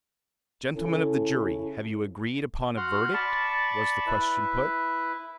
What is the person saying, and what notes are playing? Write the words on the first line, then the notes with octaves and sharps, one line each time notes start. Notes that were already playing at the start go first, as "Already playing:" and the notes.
"Gentlemen of the jury, have you agreed upon a verdict?" was the question put.
C#3 C#4 E4 A4
F#4 F#5 C6 F6
D5 A5 B5 C#6
E4 B4